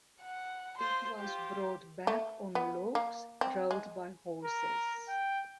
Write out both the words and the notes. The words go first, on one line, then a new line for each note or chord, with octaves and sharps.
It was brought back on logs rolled by horses.
F#5
F4 C5 C6
F4 G4 C5
A3
B3
A#3
C4
G#3
A#4
G5